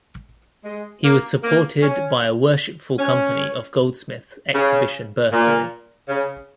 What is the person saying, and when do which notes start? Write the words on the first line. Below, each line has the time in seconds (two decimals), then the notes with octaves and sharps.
He was supported by a Worshipful Company of Goldsmiths exhibition bursary.
0.64 G#3
1.04 A#3
1.42 A#3
1.82 C#4
2.99 C#4
4.54 C#3
5.32 A#2
6.09 C#3